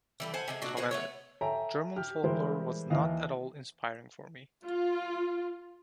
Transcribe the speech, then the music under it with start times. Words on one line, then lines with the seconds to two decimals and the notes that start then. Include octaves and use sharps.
However, German folklore was not at all inspiring for me.
0.20 E3 G3 A4
0.34 C5 F#5 G#5 A5
0.48 C3 G#3 G#4
0.62 A#2 D4 F#4
0.77 B2 G#4 C5 F#5
0.91 A3 B3 C#5
1.41 A4 C#5 E5 G5 G#5 A#5
1.96 G4 F6
2.24 E3 G3 G#3 A#4 C5
2.90 D#2 E3 D#5 F5
4.65 F4